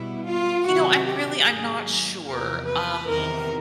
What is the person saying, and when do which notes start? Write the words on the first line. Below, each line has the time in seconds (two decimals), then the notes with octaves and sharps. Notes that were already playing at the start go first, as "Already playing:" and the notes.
You know, I'm really I'm not sure, um,
Already playing: B2 G3 B3 E4
0.24 F4
0.65 C3 D#3 F#3 F#4
1.05 G4
1.45 G#2 D#3 F#3 A#3 G#4
2.26 E2 C3 F3 A#4
2.66 B4
3.06 E2 C3 D#3 A#4